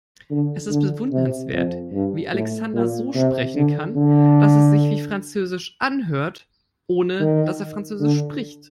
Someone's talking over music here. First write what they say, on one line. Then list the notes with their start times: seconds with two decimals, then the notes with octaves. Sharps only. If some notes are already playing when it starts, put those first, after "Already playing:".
Es ist bewundernswert, wie Alexander so sprechen kann, dass es sich wie französisch anhört, ohne dass er französisch spricht.
0.31 D3
0.70 D3
1.11 C3
1.52 F2
1.93 G2
2.33 A2
2.74 A#2
3.15 C3
3.55 D3
3.96 D3
7.20 D#3
8.00 D3